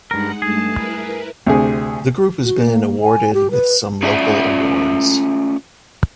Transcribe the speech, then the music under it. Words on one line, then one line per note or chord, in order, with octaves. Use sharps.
The group has been awarded with some local awards.
G2 G#3 D#4 A#4 F#5
G2 A3 G#4 A5
E4 A#4 B4
D2 C3 G#4
F#4
A#3
G#5
G4
B4
A3 C#4 F4 D5 E5